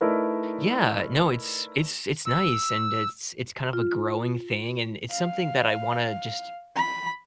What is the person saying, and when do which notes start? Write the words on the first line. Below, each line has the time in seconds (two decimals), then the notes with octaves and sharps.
Yeah, uh, no, it's it's it's nice, and it's it's kind of a growing thing, and it's something that I wanna just
0.01 A3 D#4 E4 A#4 B4 D5
2.26 E6
3.73 F4
5.10 F5
6.76 B5